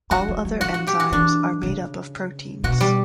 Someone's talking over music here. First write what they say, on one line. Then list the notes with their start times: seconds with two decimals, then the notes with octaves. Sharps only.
All other enzymes are made up of proteins.
0.11 F#3 F#4
0.28 F#3
0.45 G3
0.61 F#3 F#4
0.74 F#4
0.87 G4
1.00 F#4
1.12 E3 D4
1.63 C#3
2.64 B2 F#4
2.81 G3